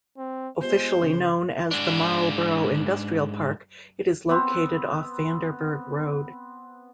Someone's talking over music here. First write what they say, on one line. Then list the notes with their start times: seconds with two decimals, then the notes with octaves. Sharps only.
Officially known as the Marlboro Industrial Park, it is located off Vanderburg Road.
0.18 C4
0.61 G#3 B3 F4 G4 C5
0.99 C#3 C#4 B4
1.71 G#2 D4
4.29 B3 C4